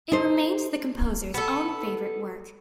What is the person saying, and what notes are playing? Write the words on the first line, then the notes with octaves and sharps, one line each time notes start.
It remained the composer's own favorite work.
D#4 A4 C5
B3 A4